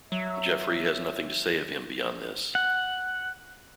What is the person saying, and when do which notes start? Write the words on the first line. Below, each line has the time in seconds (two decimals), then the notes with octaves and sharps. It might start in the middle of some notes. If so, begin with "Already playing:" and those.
Geoffrey has nothing to say of him beyond this.
0.12 F#3 E5
2.55 F#5